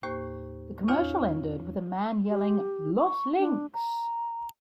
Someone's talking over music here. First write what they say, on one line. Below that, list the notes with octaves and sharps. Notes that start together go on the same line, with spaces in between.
The commercial ended with a man yelling Los Links!
D#2 A2 A#3 G4 C5 C#6
E2 C#4 D#4 F4 C#5 F5
G4
C#6
D4
A#5